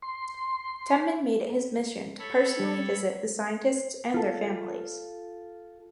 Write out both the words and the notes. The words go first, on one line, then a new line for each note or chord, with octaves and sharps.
Temin made it his mission to personally visit the scientists and their families.
C6
A4 C#5 B5
G3 G4
F4 A4